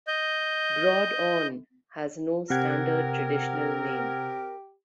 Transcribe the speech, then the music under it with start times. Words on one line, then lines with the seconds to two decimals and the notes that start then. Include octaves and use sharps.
Broad On has no standard traditional name.
0.08 D#5 G6
2.50 C3 C4 G4 A#4 F#5 G#6